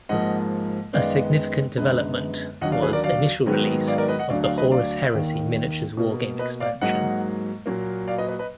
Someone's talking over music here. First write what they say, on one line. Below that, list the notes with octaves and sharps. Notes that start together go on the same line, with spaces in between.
A significant development was initial release of the "Horus Heresy" miniatures wargame expansion.
G#2 F3 A#3 D#5 F#5
F#2 D#3 G#3 B3 D5 F5
F#2 D3 G#3 B3 B4 D#5
D#2 D3 F#3 D#5 F#5
D5 F5
G#4 B4
A#4 D5
D5 F5
G#2 D#3 F#3 B3
D5 F5
A#4 D5
B4 D#5
D#5 F#5
D2 D3 F#3 D5 F5
D5 F5
B4 D#5
D5 F5
D#2 D#3 A#3
B2 A#3
B4 D#5
D5 F5
G#2 F#3 A#3 D#5 F#5
A#2 F#3 A#3
D5 F5
B4 D#5
B4 D#5
B4 D#5